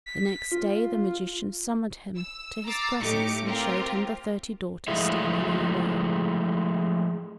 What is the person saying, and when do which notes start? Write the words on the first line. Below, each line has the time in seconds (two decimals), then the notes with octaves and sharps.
The next day the magician summoned him to his presence, and showed him the thirty daughters standing in a row.
0.06 B6
0.52 F4
2.15 E6
2.66 A#5 D6 E6 A6 C7
3.00 A2 A3 D#4 G4 D6 C#7
3.44 C4 F4 G4 A#4
4.88 F3 G#3 A3 E4 F4